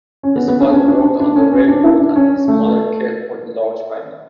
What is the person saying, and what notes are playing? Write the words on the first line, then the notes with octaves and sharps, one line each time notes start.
His father worked on the railroad, and his mother cared for the large family.
C#4
B3
B3
D4
C#4
D4
D4
C#4
C#4
D4
E4
D4
C#4
A3
A3